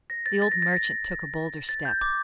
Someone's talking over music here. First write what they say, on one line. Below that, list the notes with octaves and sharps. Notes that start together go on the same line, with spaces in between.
The old merchant took a bolder step.
A#6
A6
A6
A#6
A6
A#6
A6
G6
D6